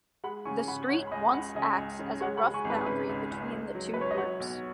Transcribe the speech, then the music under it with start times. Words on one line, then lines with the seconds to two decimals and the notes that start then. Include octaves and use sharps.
The street once acts as a rough boundary between the two groups.
0.24 G#3 F#5 B5
0.45 C#3 G#5 C#6
0.68 C#3 F#5 B5
0.89 C#2 C#5 F#5
1.07 B5
1.11 C#2 D#5 G#5
1.33 C#2 F#5 B5
1.55 C#3 D#5 G#5
1.78 C#2
1.99 C#3
2.21 G#3 C#5 F#5
2.37 F#5 B5
2.44 G#3
2.54 G#5 C#6
2.65 G#1
2.70 B4
2.86 C#3 B4
3.09 C#2
3.31 C#2
3.52 C#2
3.75 F#3
3.94 C#2 B4
4.01 C#5
4.11 D#5
4.17 F#3 C#5 F#5
4.40 B1